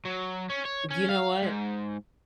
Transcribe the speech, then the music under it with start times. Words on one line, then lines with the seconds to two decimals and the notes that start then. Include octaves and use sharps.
Do you know what?
0.05 F#3
0.50 C#4
0.65 C#5
0.91 C#4
1.09 F5
1.42 G#2